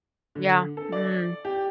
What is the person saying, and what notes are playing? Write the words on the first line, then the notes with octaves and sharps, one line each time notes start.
Yeah. Mm.
D3
A4
D5
G4